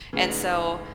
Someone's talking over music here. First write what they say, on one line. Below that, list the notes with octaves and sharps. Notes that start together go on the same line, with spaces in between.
and so,
C#3 E3 A3 C#4 G#4 D5
G#2
A2